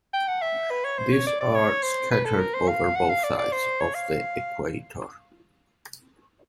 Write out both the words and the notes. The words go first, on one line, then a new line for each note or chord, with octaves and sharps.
These are scattered over both sides of the equator.
G5
F#5
E5
B4
C#5
C5
C#5
D5
D5
C#5
C5
B4
A4
A#4
C5
F5
F#5
F5
D5
D5
C5
C#5
F5